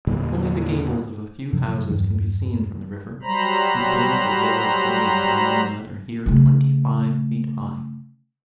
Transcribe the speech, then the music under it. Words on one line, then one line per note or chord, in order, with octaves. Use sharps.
Only the gables of a few houses can be seen from the river, whose banks of yellow clay and brown mud are here twenty-five feet high.
E2 A#2 D3 G3
F#2 C3 F3 F#3
E2 G2 D#3 F#3
F#3 G3 C5 A#5 B5
C#3 A3